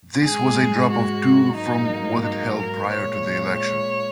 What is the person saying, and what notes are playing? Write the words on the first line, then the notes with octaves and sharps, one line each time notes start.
This was a drop of two from what it held prior to the election.
G#2 G#3 G#4
F#4
G#2 F#3 A#3 D#4
D#4
A#4
A#2 G#3 C#5
C#5